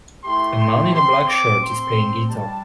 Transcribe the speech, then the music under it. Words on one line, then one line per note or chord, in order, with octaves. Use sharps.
A man in a black shirt is playing guitar.
A3 E4 G4 C6
C6
C4 G4 C6
D6
C4 G4 C6
G3 D4 G4 A5